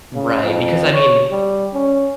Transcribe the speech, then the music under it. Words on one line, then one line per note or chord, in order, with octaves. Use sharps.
Right, because, I mean,
C#3
F2
C#5
G3
C#4